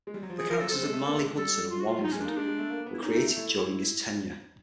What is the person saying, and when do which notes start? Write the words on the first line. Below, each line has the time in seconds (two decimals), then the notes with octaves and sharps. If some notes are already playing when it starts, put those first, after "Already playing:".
The characters of Marley Hudson and Wallingford were created during his tenure.
0.07 G#3
0.14 G3
0.23 F#3
0.30 F3
0.38 E3 G#4
0.49 F3 A#4
0.60 F#3 A4
0.71 C4 A4
0.83 G#3
0.93 A3
1.05 A#3
1.13 A3
1.22 G#3
1.38 G3 A4
1.70 F4
1.80 F#4
1.88 F4
1.99 G3
2.03 F#3 D#4
2.12 G#3 C#4
2.20 D4
2.25 A#3 D#4
2.36 G#3 D4
2.48 G#3
2.59 A3
2.70 A#3
2.86 B3
2.94 E4
3.03 C#4 D#4
3.15 A3
3.25 A3
3.36 A3 E4